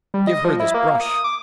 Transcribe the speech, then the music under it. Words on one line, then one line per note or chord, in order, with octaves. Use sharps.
Give her this brush.
G3
D#5
F3
E4
A#3
D#6
D6